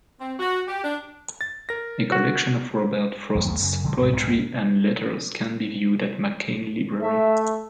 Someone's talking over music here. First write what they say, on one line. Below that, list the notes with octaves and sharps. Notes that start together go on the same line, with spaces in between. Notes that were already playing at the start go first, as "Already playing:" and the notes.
A collection of Robert Frost's poetry and letters can be viewed at McCain Library.
C4
F#4
G4
D4
A6
A#4 A#6
F#4
A#1 F2 A#2
D#2 F#3 A3 B3
F#2 C#3
B1 D3 F#3 G#3
D2 G#2
B1 G#2 G3
A3 E5